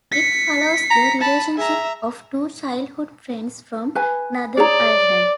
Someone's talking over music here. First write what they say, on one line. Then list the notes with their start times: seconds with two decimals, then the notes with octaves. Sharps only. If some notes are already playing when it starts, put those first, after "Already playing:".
It follows the relationship of two childhood friends from Northern Ireland.
0.11 B6 C#7
0.90 A#5
1.21 A5 B5
1.57 G#4 E5 A#5
3.95 B4 G#5
4.57 G#4 C#5 D5 A#5